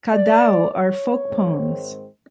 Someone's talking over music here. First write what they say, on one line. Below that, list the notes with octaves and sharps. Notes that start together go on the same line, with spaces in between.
"Ca Dao" are folk poems.
D5
C#5
G#2 D#3 G#3 C4